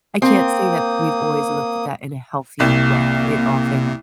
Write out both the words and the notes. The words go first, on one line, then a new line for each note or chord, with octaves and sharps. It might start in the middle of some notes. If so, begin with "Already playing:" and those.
I can't say that we've always looked at that in a healthy way. It often
A#3 C4 D#6
C2 C3 A#3